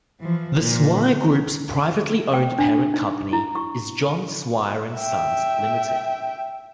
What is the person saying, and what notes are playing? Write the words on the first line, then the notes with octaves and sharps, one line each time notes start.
The Swire Group's privately owned parent company is John Swire and Sons Limited.
E3 F3
A#2
G5
D4
D#4
E4
C#6
E5 G5